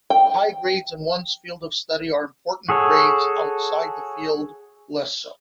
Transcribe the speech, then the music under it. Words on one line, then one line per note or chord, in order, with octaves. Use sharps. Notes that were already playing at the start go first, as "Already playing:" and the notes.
High grades in one's field of study are important-grades outside the field less so.
G5
F#4 G#4 A4 C#5